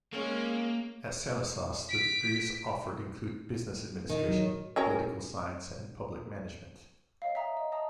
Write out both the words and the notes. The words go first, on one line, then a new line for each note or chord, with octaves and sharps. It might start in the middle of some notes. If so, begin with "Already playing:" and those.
At Salesas, the degrees offered include business administration, political science and public management.
G#3 A#3 C#4
B6 D7
D#3
F#3
F#3 C#4 A#4
C#5 D#5 F5
E5 G5 A#5 D#6
D#5
D#5 A5 A#5 D#6